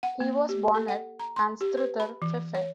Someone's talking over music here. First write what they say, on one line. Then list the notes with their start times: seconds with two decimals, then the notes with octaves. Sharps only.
He was born at Anstruther, Fife.
0.03 F#5
0.20 A#3
0.49 G4
0.75 A4
0.88 F#5
1.20 A#5
1.36 C6
1.61 G4
1.77 B4
2.00 B5
2.22 E3
2.55 C#5